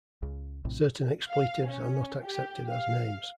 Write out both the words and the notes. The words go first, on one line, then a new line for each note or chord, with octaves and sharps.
Certain expletives are not accepted as names.
C#2 C#3
A#1 A2 C3
F5
C#4
G4
F5